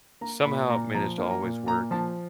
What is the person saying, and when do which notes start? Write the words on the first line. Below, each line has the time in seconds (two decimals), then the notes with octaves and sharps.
somehow managed to always work,
0.21 A#3 A#5
0.46 A#2 B5
0.70 A#2 A#5
0.94 F3 A#5
1.18 A#3
1.31 A#5
1.43 A#2
1.67 A#2 A#5
1.91 F3 A5